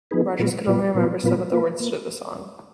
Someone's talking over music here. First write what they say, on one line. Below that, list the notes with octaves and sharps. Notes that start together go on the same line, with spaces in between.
Rodgers could only remember some of the words to the song.
F3 B3 D#4 G#4 B4
A#2 F#3 B3 F4 B4
A#2 F#3 B3 F4 B4
A#2 F#3 B3 F4 B4
A#2 F#3 B3 F4 B4
A#3 F4 B4
A#3